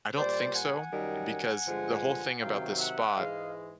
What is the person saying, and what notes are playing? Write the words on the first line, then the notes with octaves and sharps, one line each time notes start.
I don't think so, because the whole thing about this spot,
A#2 G3 C5 D5
F#5 G#5
F#2 D#3 G3
G2 D3 F3 G#3
C3 D#3 F#3 F5 G5
E5 F#5
G#2 E3 G#3 D#5 F5